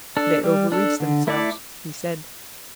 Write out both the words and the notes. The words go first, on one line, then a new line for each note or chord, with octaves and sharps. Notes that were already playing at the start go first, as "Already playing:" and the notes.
"They overreached themselves," he said.
D4 A4
G3
D4 A4
D3
A3 E4 A4 D5